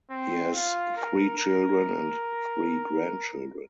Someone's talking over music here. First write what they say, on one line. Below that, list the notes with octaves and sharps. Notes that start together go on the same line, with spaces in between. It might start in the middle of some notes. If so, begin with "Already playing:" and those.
He has three children and three grandchildren.
C4
F4
A#4
A#4